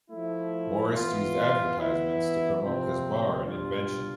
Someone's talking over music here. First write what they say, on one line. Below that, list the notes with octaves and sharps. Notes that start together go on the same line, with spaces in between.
Morris used advertisements to promote his bar and invention.
F3 A3 E4
E3 B3 F4
E3 B3 E4
C3 F3 C4 F4
B2 G3 D4 F4